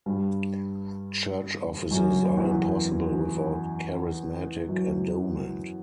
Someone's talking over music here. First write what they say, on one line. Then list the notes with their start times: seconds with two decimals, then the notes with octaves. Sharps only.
Church offices are impossible without charismatic endowment.
0.06 G2 G3
1.91 F#2 F#3
2.37 E2 E3
4.68 F#2 F#3